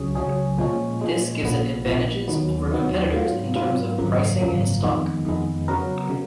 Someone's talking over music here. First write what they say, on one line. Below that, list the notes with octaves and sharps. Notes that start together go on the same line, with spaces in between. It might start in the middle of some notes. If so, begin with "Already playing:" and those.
This gives it advantages over competitors in terms of pricing and stock.
Already playing: C#2 C#3 F#3 C#4 G#4
C#2 C#3 F#3 C#4 G#4
A#2 F3 G#3 C#4
A#2 F3 G#3 C#4
A#1 A#2 F3 B3
A#1 A#2 F3 B3
D#2 D#3 F#3 B3
D#2 D#3 F#3 B3
G#2 F#3 B3 F4
G#2 F#3 B3 F4
G#1 F#2 C#3 F3 A#3
G#1 F#2 C#3 F3 A#3
F2 D#3 G#3 B3
F2 D#3 G#3 B3
C#3 F#3 B3 F#4 A#4
C#3 F#3